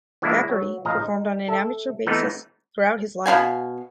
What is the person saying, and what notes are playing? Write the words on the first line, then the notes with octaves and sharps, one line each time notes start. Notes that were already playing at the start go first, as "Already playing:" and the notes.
Thackery performed on an amateur basis throughout his life.
E3 F3 G#3 A#3 D4 E4
F#3
A1 F3 G#4 D#5 A#5
D#4
A4 E5
E3 A3 B3 C4 D#4
B2 E4 F5 G#5